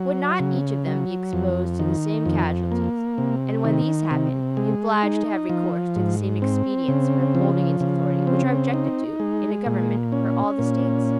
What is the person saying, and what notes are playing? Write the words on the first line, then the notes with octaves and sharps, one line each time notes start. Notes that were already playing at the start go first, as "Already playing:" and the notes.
Would not each of them be exposed to the same casualties; and when these happened, be obliged to have recourse to the same expedients for upholding its authority which are objected to in a government for all the States?
Already playing: F#3
C#3
F#3
F2
D#3
F2
A#3
C3
D#3
C3
G#3
D#4
F3
G#2
C4
C#3
F3
C#3
C4
D#4
G#3
A#2
C#4
A#2